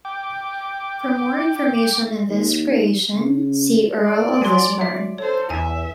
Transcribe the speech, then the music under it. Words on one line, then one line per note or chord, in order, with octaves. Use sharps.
For more information on this creation, see Earl of Lisburne.
G5 D6
D#2
C#3
D5
F#3 G#5 C6
C#5 E5
A4 C5 C#5
E2 E5 G#5